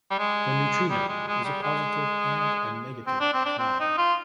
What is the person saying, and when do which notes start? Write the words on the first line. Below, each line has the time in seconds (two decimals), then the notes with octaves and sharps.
The neutrino is a positive and a negative tron.
0.11 G3
0.19 G#3
0.90 G3
1.08 G#3
1.27 G#3
1.44 G3
1.63 G#3
3.07 C4
3.20 D4
3.34 C4
3.46 D4
3.59 C4
3.80 D#4
3.98 F4